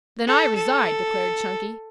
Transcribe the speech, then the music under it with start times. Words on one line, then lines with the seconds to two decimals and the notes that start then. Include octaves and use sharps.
"Then I resign," declared Chunky.
0.27 A4
0.55 A4